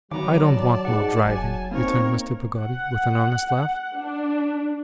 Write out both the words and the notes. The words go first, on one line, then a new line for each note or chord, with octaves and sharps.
I don't want no driving,' returned Mr. Peggotty with an honest laugh.
D#3 F#3 B3 A#5 D6
D5 A5
G#2 F#5 D6
F1 F#3 G#5 A5
A#3 C4 D#4 A#4 C#5
F#5
D4